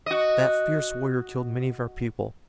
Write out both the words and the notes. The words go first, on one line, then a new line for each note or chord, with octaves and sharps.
That fierce warrior killed many of our people.
F#4 D#5